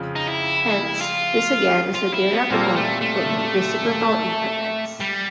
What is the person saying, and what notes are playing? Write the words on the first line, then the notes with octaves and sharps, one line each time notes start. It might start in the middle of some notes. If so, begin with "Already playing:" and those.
Hence, this again is a Dirac comb but with reciprocal increments.
Already playing: F2 C#3 F3
D#4
E4
F4
F4
E4
B3
A#2 G3 A#3 C4 F4 A4
A3
A3
G3